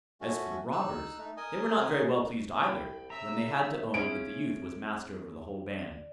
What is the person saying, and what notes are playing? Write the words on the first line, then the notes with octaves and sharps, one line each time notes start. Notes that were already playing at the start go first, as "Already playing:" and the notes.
As for the robbers, they were not very well pleased either, when they had to own that the youth was master over the whole band.
A3 C#4 F#4
D#4 E6 F#6
A3 D#4
A#4 D#5 G#5 D#6
C2 G5 B5
C#3 E5 A#5 E6
C4 C#4 E4 G#4 D7
D5